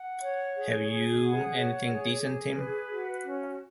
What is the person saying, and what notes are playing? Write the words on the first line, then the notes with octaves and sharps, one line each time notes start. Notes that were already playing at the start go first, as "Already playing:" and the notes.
Have you anything decent, Tim?
Already playing: F#5
C#5
G#4
G#4
F#5
C#5
G#4
G#4
B4
F#4
C#4